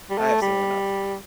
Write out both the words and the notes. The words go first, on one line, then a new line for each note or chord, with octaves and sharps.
I have seen enough.
G3
A3
G3